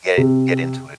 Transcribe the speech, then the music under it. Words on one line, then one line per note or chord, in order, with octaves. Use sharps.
get get into it.
C3